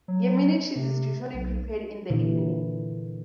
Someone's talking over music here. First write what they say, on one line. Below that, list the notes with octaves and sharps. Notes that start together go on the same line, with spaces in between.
Yemeni cheese is usually prepared in the evening.
F#3
C3
B1
A#2 D3 E3